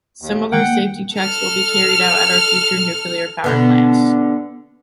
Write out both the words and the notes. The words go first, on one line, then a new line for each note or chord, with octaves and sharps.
Similar safety checks will be carried out at our future nuclear power plants.
D#2
D#3 G#3 F#5 G5
A#3
A4 F6
B2 D3 B3